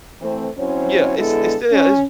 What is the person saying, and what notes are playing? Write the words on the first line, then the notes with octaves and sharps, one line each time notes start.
Yeah, it's it's still it's
E3 A3 C4
F#3 C4 C#4 E4 C5 C#5
D3 G#3 B3 E4 G#4 A4
C#4